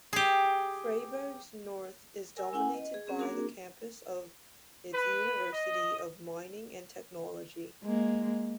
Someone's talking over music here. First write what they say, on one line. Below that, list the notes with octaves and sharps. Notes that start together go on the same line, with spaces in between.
Freiberg's north is dominated by the campus of its University of Mining and Technology.
G4 G#4
A#4 G#5 E6
C#4 E4 F#5 G#5
D#5
G#4
C4 C#4 G#4
A#3 C4 D4 F#4 G#4 A#4
B4
D#5
G#3 A#3